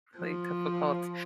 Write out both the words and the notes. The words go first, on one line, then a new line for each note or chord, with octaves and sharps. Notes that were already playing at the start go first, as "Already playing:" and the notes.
really difficult.
F3